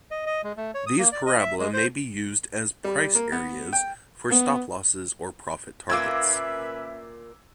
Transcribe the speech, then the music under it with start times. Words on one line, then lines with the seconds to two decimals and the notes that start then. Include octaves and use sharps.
These parabola may be used as price areas for stop losses or profit targets.
0.11 D#5
0.26 D#5
0.44 G#3
0.57 A3
0.74 C#5
0.87 D#6
0.99 A#3
1.12 D5
1.26 D#5
1.39 E5
1.59 G#3
1.73 C5
2.84 G3
3.15 A#3
3.32 B3
3.73 G5
4.29 B3
5.90 A#2 A#3 C#4 B4 E5 D6 E6 G#6